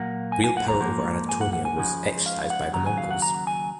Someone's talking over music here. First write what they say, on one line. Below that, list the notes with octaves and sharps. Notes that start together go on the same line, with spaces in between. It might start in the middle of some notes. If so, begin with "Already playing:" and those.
Real power over Anatolia was exercised by the Mongols.
Already playing: A#2 F#3 A#3 F#5
G#5
G#5
F#5
A#5
G#2 F3 A#3
G#5
F#5
F#5
G#5
C#2 C#3 F3 G#3
F5
F5
F#5
D#2 C#3 F#3 A#5
G#5
F5
F#5
A#5
G#5